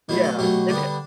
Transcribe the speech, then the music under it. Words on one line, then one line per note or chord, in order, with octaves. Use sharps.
Yeah, it ha
B2 F#3 A3 E4
A4
B2 F#3 A3 G4
D3 G3 B3 D4